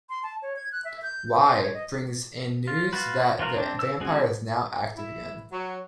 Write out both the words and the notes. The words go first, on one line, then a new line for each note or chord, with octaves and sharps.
Wai brings in news that the vampire is now active again.
C6
A5
C#5
G#6
F#6
E5
G6
C5
C#5
D#5
F4
F4 F#4 B4
E3 F4 F#4 A#4
C4 D4
E6
G#3 C4 C#4 F#4 G#4
E4
F#3